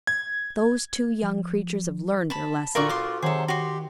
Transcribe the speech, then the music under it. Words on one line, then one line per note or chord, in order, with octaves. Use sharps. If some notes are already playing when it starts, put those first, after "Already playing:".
Those two young creatures have learned their lesson.
G#6
F3
A5 B5
F4 F#4 A4 A#4 D5 F5 C#6
C6 D6
C3 D#3 F#3 G#4 A4 C5
F#4 G4 C6